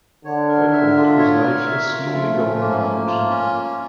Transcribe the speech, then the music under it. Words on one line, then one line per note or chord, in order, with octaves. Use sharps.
Airport whose life is slowly going down the drain.
D3 C#5
A#4
E5
F4
C#5
A#4
E5
F4
F3 A3 F4
C#4
A#3
A#3
F4
C#4
A#3